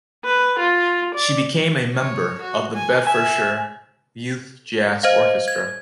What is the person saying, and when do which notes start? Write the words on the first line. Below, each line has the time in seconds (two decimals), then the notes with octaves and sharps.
She became a member of the "Bedfordshire Youth Jazz Orchestra".
0.25 B4
0.59 F4
1.15 D5
1.94 C#5
2.41 F#4
2.75 G#5
3.07 E5 G#5
5.03 C5 D#5 F5
5.48 G#6